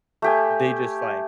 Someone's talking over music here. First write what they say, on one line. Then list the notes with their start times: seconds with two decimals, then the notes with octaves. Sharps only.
they just, like
0.22 A3 G4 G#5